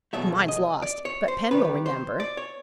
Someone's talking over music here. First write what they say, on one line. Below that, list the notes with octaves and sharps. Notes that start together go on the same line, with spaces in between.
Mine's lost, but Pen will remember.'
E2 B2 F#3 A3 E5
D#5
D5
C#5
C5
C3 D#3 G3 B4
C5
D5
C#5